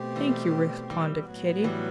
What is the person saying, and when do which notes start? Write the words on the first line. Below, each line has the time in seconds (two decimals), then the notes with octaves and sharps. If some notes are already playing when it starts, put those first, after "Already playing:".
"Thank you," responded Kitty.
Already playing: B2 A3 C4 G4
0.16 E3 G3
0.90 E3 G3
1.27 A2 F#3 B3 F#4
1.64 E3 G3